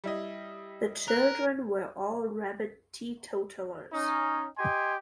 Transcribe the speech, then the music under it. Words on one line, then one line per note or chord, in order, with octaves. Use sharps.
The children were all rabid teetotallers.
G3 E4 D#5
A#4 F#6
C#4 D#4
G4 D#5 G#5 C6